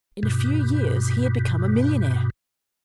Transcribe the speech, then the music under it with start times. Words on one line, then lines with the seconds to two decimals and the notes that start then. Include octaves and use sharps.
In a few years, he had become a millionaire.
0.23 G2 B2